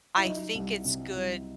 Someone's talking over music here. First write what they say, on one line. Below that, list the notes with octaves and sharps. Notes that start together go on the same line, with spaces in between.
I think it's good
E4
F#3 D#4
C2
C3
C2